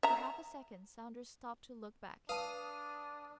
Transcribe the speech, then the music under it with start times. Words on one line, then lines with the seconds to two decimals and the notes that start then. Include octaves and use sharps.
For half a second Saunders stopped to look back.
0.03 E5 A#5
2.29 D4 B4 F5 A5 D#6